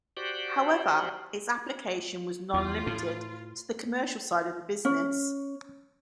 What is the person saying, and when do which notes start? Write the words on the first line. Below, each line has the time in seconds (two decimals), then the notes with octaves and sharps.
However, its application was not limited to the commercial side of business.
0.17 F#4 G4 C5 D5 F#5 G5
2.54 E2 F4
2.87 A2
4.85 C#4